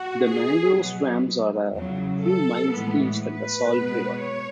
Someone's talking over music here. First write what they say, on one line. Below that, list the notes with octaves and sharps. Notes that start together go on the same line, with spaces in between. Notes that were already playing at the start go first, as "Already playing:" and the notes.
The mangrove swamps are a few miles east at the Salt River.
Already playing: F#4
G#4
B2 F#3 B3
E2 C#3 F#3
A4
A2 E3 G#3 B3
B4
B2 G#3 B3
C#5